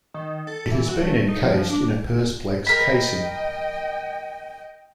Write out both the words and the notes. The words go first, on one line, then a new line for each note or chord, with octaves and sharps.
It has been encased in a persplex casing.
D#3
A4
E3
F#4
A3
D#4
F3
D4
A#4 D#5 G5 B5